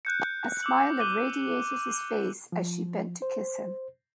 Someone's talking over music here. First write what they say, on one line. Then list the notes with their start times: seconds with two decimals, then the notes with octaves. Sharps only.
A smile irradiated his face as she bent to kiss him.
0.05 F#6 G6 C#7
0.63 D6 E6 F#7
0.99 D6 F#6 G6 D#7 F#7 G7
2.52 F3
3.22 C5